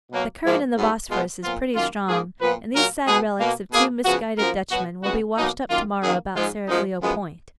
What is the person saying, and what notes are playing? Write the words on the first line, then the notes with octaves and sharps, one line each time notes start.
The current in the Bosporus is pretty strong, and these sad relics of two misguided Dutchmen will be washed up tomorrow about Seraglio Point.
B2 F#3 A#3
G#2 F3 A#3
G#2 F#3 B3
B2 G#3 B3 F4
A#2 F3 B3 F4
F#2 D#3 A#3 F4
G#2 F3 A#3 G#4
A#2 F3 B3 B4
A#2 F#3 A#3 A#4
B2 G#3 B3 G#4
B2 A#3
B2 A#3 G#4
C#3 F3 B3 F#4
F#2 F3 A#3 A#4
B2 F#3 B3 F#4
C#3 G#3 B3 F#4
B2 F#3 A#3 D#4
F#2 D#3 A#3 F4
F#2 D#3 A#3 G#4
G#2 F3 G#3 F4
F#2 F3 G#3 D#4
F#2 F3 G#3 B3